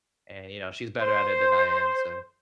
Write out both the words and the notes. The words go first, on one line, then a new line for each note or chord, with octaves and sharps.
and, you know, she's better at it than I am, so
C5